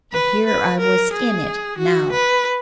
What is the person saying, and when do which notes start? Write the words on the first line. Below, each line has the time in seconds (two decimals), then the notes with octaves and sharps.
And here I was IN it now.
0.13 B4
0.46 B4
0.80 A#4
1.13 G#4
1.78 F#4
2.12 B4